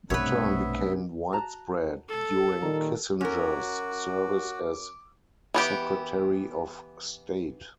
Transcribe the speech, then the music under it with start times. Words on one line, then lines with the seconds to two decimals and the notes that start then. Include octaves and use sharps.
The term became widespread during Kissinger's service as Secretary of State.
0.10 B1 G2 C3 A3 B3 B4 C#5 E5
1.32 F#4 A5 A#5
2.09 A4
2.62 A#2 D#3 G3 A#5
3.21 F#2 C#4 F#4 A#4 D6
5.54 E3 B3 G4